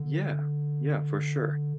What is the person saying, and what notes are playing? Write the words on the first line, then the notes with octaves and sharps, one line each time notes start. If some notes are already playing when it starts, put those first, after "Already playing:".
Yeah. Yeah, for sure.
Already playing: D3